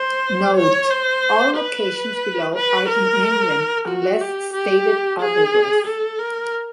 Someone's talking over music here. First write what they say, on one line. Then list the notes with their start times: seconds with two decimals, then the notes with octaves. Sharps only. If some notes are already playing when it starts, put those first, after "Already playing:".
Note: All locations below are in England unless stated otherwise.
Already playing: C5
0.57 C#5
0.90 C5
1.56 B4
2.55 B4
2.89 A#4
3.88 F#4
4.21 G4
4.54 G4
5.20 G#4
5.86 A4
6.19 A#4